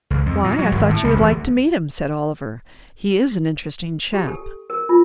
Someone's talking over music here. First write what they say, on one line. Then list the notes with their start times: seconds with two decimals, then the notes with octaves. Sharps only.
"Why, I thought you would like to meet him," said Oliver; "he is an interesting chap."
0.10 C#2
0.26 F2
0.44 A#2
0.59 F#3
0.71 G#1
0.89 A2
1.04 C#2
1.16 E1
1.30 D2
4.14 G4
4.27 A4
4.70 A#4
4.89 F4